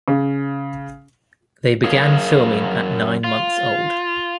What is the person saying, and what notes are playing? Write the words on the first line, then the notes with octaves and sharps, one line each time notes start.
They began filming at nine months old.
C#3
F#2 G#4 A#4 C#5 F5
F4